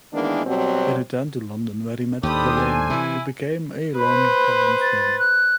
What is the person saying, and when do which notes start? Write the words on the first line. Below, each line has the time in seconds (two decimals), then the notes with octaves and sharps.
He returned to London where he met Verlaine, who became a long-time friend.
0.13 D#3 E3 G#3 A#3 B3 D4
0.45 B2 F#3 G3 C4
2.23 D#2 D4 G4 A4 C5 B5 D#6
2.57 G#5
2.90 C3 D#3 E3 E4
3.98 B4 C5 B5
4.81 A6
5.19 F#6